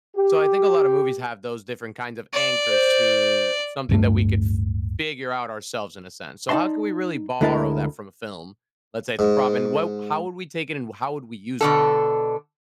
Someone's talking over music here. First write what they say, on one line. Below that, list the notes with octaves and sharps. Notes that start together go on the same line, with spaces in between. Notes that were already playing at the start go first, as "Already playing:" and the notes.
So, I think a lotta movies have those different kinds of anchors to something that we could f figure out ourselves in a sense. So how can we really borrow that from a film? Let's say it's a prop and wo how would we take it, and how would we use it?
G4
D5
C5
D1 G2 A3
D#4 D5 D#5 A5 C6
D2 D3 G#3 E4 A#4 A5
G#2
B2 D3 A4